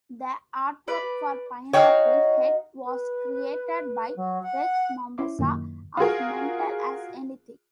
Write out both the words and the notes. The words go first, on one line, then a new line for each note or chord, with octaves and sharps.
The artwork for "Pineapple Head" was created by Reg Mombassa of Mental As Anything.
B4 D5
D#4 F#4 C#5 F5 G5
B4
F#3
F#5
C#4 E4 C5 E5 C6 D6
F#2 A#2 D#3 A#3
F4 F#4 G#4 A#4